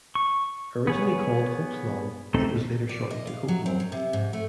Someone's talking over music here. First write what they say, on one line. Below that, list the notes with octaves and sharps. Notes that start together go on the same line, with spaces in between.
Originally called Hope's Lawn, it was later shortened to Hopelawn.
C#6
B3 G#4 C#5
A3 C4 D#4 A4
D5
D#5
F5
F#3
C4
F#3
C3
G#2
A3